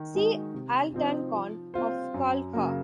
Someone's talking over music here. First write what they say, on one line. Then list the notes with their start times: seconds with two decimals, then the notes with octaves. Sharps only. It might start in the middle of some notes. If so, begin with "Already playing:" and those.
See Altan Khan of Khalkha.
Already playing: D#3
0.15 G#3 D#4 F#4
0.54 C3
0.94 F3 C4 D#4
1.34 F3
1.74 C4 F4 C5
2.14 F#2
2.53 C#3 F#3 A#3